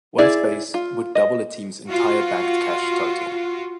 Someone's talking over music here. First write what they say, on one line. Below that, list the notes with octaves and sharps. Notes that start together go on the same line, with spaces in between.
One space would double a team's entire banked cash total.
E4 G#4 D5
F4
D#5
F4 F#4